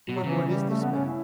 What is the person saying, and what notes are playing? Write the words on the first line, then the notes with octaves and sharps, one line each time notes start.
"Who and what is this man?"
B2
F#3
C#3 E3
G3
A3
B3
C#4
E4